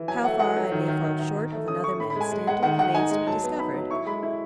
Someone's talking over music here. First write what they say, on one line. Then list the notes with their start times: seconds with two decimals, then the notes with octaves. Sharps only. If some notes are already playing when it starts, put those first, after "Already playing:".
How far I may fall short of another man's standard, remains to be discovered.
Already playing: E3
0.08 F#3 G#5
0.24 A3 F#5
0.39 F#3 F#5
0.57 F#3
0.71 D#3
0.88 D#3
1.04 D#3
1.19 D#3
1.36 D#3
1.51 A3
1.68 C#4 D#6
1.83 C#4 C#6
1.99 A2 B5
2.10 B5
2.16 G#3 G#5
2.32 G#3
2.47 G#3 F#5
2.63 D#3 F#5
2.79 D#3 F#5
2.94 D#4 G#5
3.11 G#3
3.27 F#3 A5
3.43 B3
3.59 D#4 B5
3.74 F#3
3.91 E4 C#6
4.06 G#3 B5
4.23 E4